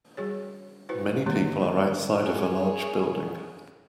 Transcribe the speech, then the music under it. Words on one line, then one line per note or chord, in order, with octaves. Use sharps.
Many people are outside of a large building.
G3 F#4 G#4 C#5
E4 F#4 B4 C5
D3 D#3 A3 A#3 G4 C#5
G#4 C#5